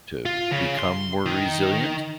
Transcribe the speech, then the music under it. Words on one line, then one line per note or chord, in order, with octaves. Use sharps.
to become more resilient
F4
C#3
C6
D#3